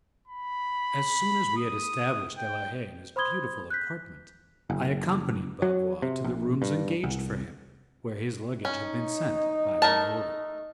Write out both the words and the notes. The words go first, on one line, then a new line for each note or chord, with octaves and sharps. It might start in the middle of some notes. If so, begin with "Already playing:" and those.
As soon as we had established De la Haye in his beautiful apartment, I accompanied Bavois to the rooms engaged for him, where his luggage had been sent by my orders.
B5
D#6
G5
C5 B5 C6 D#6 G#6 G7
F#6 G6 B6
F#1
F#3
C3
A#1
G2
C2
C#4 D#4
A3 A#4 A5